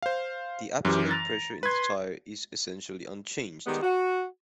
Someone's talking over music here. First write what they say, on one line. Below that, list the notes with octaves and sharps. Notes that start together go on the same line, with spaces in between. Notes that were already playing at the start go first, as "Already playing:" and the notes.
The absolute pressure in the tire is essentially unchanged.
C5 F5
F#2 E3 G4
A#5 A6
B4 C6 G#6
D#3 G3 G#3 B3 G4
F#4